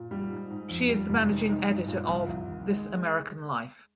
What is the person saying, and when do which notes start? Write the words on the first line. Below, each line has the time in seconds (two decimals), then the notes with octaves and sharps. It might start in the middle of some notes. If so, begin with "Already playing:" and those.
She is the managing editor of "This American Life".
Already playing: A#2
0.11 G3
0.30 G#2
0.50 G#2
0.69 F2
0.89 G3
1.09 F1
1.29 D#3
1.49 D#4
1.69 G2
1.88 A#2
2.08 C2
2.29 C2
2.48 D#2
2.68 G#3